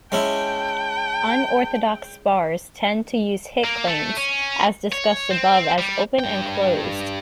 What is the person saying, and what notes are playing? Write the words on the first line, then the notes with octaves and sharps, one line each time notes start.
Unorthodox spars tend to use hit claims, as discussed above as open and closed.
G#3 C#4 E4 G5 A5
A#3
A3
C#4
C#5
C4
G3
G2 G5